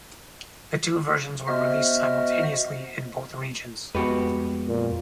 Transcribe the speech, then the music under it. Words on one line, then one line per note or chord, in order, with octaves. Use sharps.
The two versions were released simultaneously in both regions.
B3 F#4 C5 D#5 E5 F6
F2 G#3 B3 F#4 G4 B4
A#2